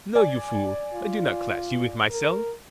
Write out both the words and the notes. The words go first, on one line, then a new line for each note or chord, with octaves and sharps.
No, you fool, I do not class you with myself!
D5 G#5
F4
A#4